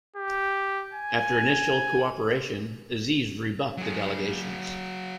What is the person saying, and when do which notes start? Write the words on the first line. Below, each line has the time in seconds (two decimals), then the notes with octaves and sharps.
After initial cooperation, Aziz rebuffed the delegations.
0.16 G4
0.93 G#5
3.78 F#3 G#4